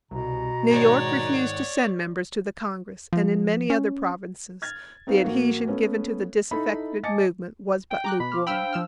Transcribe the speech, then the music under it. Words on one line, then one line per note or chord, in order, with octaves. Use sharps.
New York refused to send members to the Congress, and in many other provinces the adhesion given to the disaffected movement was but lukewarm.
C2 B2 A#5
G#2 D#3 C#5 D5 F#5
F3
C#4
F6 G#6 A6
C4 D#4 F#4 B4 F5
A#1 A#3 F#4
A3 B3 C#4 B4
D#4 E4 A4 B5
D#5 G#5 A5 D6 A6 C#7
G5
A#5 D6 F#6
B2 B5
C6 D6 F6
D4 C5 F5 G5 B5 E6 F6
F3 E6 F6